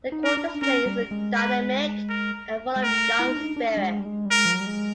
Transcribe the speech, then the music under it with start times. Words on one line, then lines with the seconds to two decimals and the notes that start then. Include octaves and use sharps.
The quartet's playing is dynamic and full of young spirit.
0.12 D#4
0.25 A#4
0.37 D4
0.62 C#4 A#4
0.86 G3
1.11 G#3
1.35 B4
2.09 A#4
2.76 G#3
2.83 A3 A#4
3.19 E4
3.28 D#4
3.36 D4
3.43 D#4
3.56 D4
3.77 G3
3.81 G#3
3.99 G3
4.05 G#3
4.25 G3
4.30 G#3 A#4
4.46 F3
4.53 F#3
4.60 G3
4.67 G#3